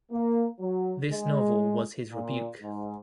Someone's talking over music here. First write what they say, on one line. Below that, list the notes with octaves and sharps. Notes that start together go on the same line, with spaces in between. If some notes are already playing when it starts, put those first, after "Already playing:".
This novel was his rebuke.
A#3
F#3
G#3
A#2
G#2